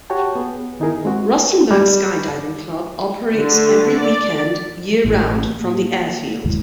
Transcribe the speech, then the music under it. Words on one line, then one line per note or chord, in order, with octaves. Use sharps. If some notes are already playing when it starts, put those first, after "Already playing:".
Rustenburg SkyDiving Club operates every weekend year round from the airfield.
F#4 G4 C#5 G5 A5
B3 G#4
D#3 D#4 E4 G#4 A#4
G#3 C4 F#4
G3
D3 A3
D5
A1 A2 E3
A#3
F1 D#2 G#2 E3